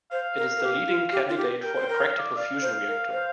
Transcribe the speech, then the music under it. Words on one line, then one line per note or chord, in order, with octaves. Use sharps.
It is the leading candidate for a practical fusion reactor.
C5 F5
A#4
A#4
G4
F4
G4
F4
G4
A#4 G5
C5
G5
A#4
F5
D5
D5 F5
C5
A#4
C5